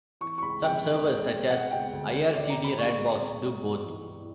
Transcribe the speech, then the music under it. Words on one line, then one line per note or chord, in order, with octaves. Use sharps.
Some servers, such as ircd-ratbox, do both.
E3 C#6
C#6
C#2 B5
C#3 G5
C#2
C#2
B2
B2 F#5
C#2 G5
D2
D3
D3 D5
A#5
D2
B5
C#2 C#6
B2
B2
C#2
G2
E3
E3